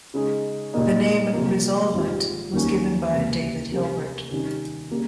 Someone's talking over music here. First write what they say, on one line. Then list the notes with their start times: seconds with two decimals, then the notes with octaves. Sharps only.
The name "resolvent" was given by David Hilbert.
0.14 C#3 G#3 D#4
0.74 A#2 G3 A#3 D#4
1.33 C3 F3 A#3
1.93 G#1 G#2 G3 C4 F4
2.52 D#2 D#3 G3 A#3 C#4
3.12 C#2 C3 G3 A#3
3.72 C3 G3 C#4 G4 A#4
4.31 C3 D#3 G3 C#4
4.91 C#3 G3 A#3